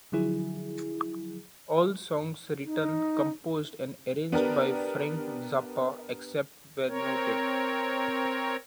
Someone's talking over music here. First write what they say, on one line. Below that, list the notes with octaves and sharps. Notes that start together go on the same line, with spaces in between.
All songs written, composed and arranged by Frank Zappa except where noted.
D3 F3 F#3 E4 G#4
D#4
B3 D4 G4 A#4
C4 A#4 C#5